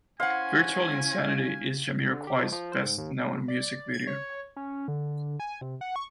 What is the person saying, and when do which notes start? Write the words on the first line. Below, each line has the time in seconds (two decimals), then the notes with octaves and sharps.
"Virtual Insanity" is Jamiroquai's best known music video.
0.20 C#4 E4 C5 F5 F#5 G#5
2.13 D3
2.27 G4
2.39 F3
2.52 F3
2.72 C5
2.84 G#2
2.98 D#2
3.48 D5
3.94 G#6
4.07 C#5
4.56 C#4
4.88 D3
5.40 G#5
5.61 C3
5.81 F#5
5.96 C#6